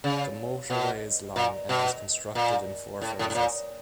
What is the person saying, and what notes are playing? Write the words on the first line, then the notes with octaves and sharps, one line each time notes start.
The motorway is long and was constructed in four phases.
C#3
B2
A#2
B2
A#2
A2
A2
A2
A#2